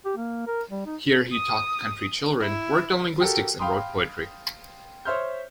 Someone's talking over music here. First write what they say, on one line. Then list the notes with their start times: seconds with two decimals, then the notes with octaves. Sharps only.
Here he taught country children, worked on linguistics and wrote poetry.
0.05 G4
0.17 A#3
0.47 A#4
0.71 G3
0.86 D#4
1.32 D#6
2.40 E4
3.20 F#4 G4 A4 A#4 G5
3.59 F5 G5 B5 C6 D#6
5.05 C5 C#5 E5 C6 F6 G6